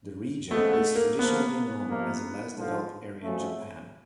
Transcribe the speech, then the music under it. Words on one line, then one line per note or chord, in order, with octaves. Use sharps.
The region is traditionally known as a less developed area of Japan.
C#3 F3 G#3 A3 B3
A3
A#3
C3 F3 A#3 B3
F2 C3 F3 A#3
G2 D3 F3
F2 C#3 F#3 A3